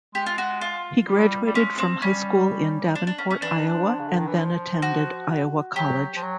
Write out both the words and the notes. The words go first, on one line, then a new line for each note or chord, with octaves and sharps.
He graduated from high school in Davenport, Iowa and then attended Iowa College.
G#3 G4
F4
F#4
F4
G3
G3
G#3 C#4
C4
G3 C#4
D4
D4
C#4
C#4
E3 D4
E3
F3
C#3
D3
D#3
E3
F3
F#4
F#3 G4
F3
F#3